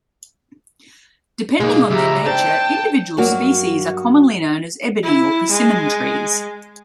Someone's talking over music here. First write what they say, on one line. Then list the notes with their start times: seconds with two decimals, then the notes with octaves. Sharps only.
Depending on their nature, individual species are commonly known as ebony or persimmon trees.
1.60 B2 G#3 A#3 D#4
1.90 C#2 G4 E5 A#5
2.26 D4 C5 G5 A5
3.17 G2 F#3 A#3 F#4
5.03 E4
5.50 G#3